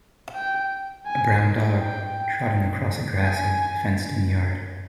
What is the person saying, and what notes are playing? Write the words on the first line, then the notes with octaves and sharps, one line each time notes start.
A brown dog trotting across a grassy, fencedin yard.
G5
G#5
G5
G#5